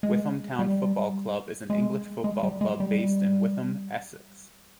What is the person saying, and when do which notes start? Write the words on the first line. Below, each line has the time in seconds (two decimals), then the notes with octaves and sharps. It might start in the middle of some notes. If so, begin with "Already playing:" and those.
Witham Town Football Club is an English football club based in Witham, Essex.
0.03 G#3
0.59 G3
1.70 G#3
2.24 G#3
2.43 G3
2.61 G#3
2.80 G3